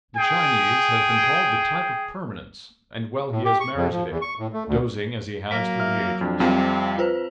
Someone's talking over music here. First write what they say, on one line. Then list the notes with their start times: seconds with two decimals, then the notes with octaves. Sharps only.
The Chinese has been called the type of permanence, and well he has merited it, dozing as he has through the ages.
0.17 G#4 G5
3.31 A2
3.45 G4
3.60 C#6
3.75 F2
3.92 F3
4.10 E2
4.22 C#6
4.39 A2
4.53 A3
4.68 D2
5.51 F#3 A#3 A#6 B6
5.80 E5 F6
6.21 F2 D4
6.40 F2 C3 F3 G3 C4 F5
6.98 F4 B4 C5